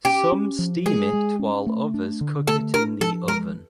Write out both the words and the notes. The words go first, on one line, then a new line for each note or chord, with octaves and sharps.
Some steam it while others cook it in the oven.
C#4 G4
C#4
F3
G#3 G#4
G#3
C#4
A3
D4
D3
A3 A4
D4 A#4
F3 A4
G#3 A#4